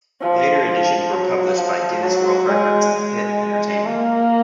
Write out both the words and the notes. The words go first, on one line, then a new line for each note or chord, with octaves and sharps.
Later editions were published by Guinness World Records and HiT Entertainment.
F3
F3
F#3
F3
F#3
G#3
G#3
A#3